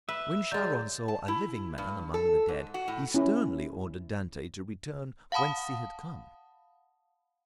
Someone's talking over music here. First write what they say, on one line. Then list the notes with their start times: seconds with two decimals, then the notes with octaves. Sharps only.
When Charon saw a living man among the dead he sternly ordered Dante to return whence he had come.
0.09 B4 E5
0.52 F#3 G#3 D5 G6
1.08 A5
1.28 E4
1.78 G2
2.14 A4
2.48 G#2
2.74 F#4
2.88 A2
3.14 C#4 E4
5.32 F5 F#5 A5 B5 D#6